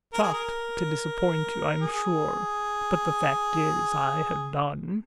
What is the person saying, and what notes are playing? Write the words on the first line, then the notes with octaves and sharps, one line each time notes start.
"Shocked to disappoint you, I am sure; but the fact is, I have done."
A#4
G#4
A#4
G#4